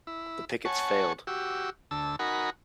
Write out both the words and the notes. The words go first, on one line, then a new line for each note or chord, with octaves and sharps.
The pickets failed.
E4
C#5 F#5 G#5 A5 C#6
F#4 G4 E6
D2 A5 E6
D#4 F#4 A#4 F#5 G#5 B5